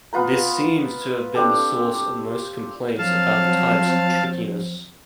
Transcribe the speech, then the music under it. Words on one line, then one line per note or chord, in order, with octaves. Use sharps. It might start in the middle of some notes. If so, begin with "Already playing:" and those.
This seems to have been the source of most complaints about the type's "trickiness".
B3 F4 B4 A#5
C4 D4 G4 A4
F3 F#3 C4 F5 A5